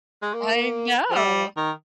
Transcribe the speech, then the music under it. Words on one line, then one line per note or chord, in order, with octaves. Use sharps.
I know!
G#3
A#3
F3
G3
D#3